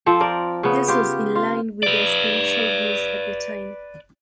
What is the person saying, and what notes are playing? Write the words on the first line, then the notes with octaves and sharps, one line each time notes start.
This was in line with their spiritual views at the time.
F3 C4 A4
A#4 D5
C#3 B3
F4 G4
F4
B4 D5